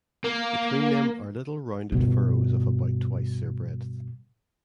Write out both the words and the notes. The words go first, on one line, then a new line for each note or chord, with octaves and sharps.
Between them are little rounded furrows of about twice their breadth.
A#3
G2 B2